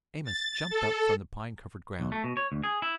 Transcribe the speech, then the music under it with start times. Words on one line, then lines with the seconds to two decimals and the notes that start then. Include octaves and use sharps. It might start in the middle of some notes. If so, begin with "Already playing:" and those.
Amos jumped up from the pine-covered ground.
0.24 A6
0.70 A4
2.00 B1
2.12 A3
2.24 B2
2.37 C#5
2.52 D2
2.64 G#4
2.82 E4